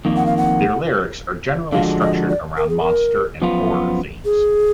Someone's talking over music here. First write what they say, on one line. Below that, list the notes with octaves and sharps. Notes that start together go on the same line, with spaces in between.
Their lyrics are generally structured around monster and horror themes.
F2 D#3 A#3
F#5
F5
F#5
D3 F3 G#3 D4 F#4 F5
D#5
D5
A#4
G#4
A#4
F#2 F3 B3 F4
G#4